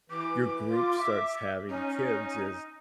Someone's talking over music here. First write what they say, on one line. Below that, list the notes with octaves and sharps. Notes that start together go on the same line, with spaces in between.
your group starts having kids is
E3 D6
F4
E5
C#4 D#4